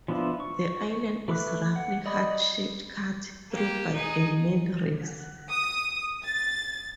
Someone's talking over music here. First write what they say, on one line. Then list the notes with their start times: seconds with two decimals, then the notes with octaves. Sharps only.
The island is roughly heart-shaped cut through by a millrace.
0.08 F3 B3 D4 E4 F4
0.40 C#6
1.28 A3 B4 E5 D6 F#6
1.76 F#5
2.06 D5 D#5 B5
3.51 A#3 G4
3.93 D#4 G#4
5.50 D#6
6.25 A6